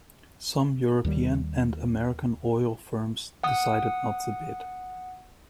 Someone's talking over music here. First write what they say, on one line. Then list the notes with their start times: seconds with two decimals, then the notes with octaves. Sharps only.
Some European and American oil firms decided not to bid.
1.05 D#2 D#3 G3
3.44 F#5 D#6